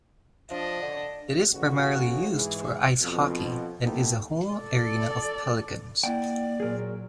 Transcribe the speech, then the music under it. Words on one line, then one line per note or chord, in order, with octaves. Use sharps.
It is primarily used for ice hockey, and is the home arena of Pelicans.
F3 D4 D#5
D3
A1 C#3 F#4
G#2 E3 G#4
F2 B2 F3
A#3 B3 D#4 F4 G4 A4
A4 D5
A#3 E4 D5 F#5 G5
A#2 F#3 G#4 A#4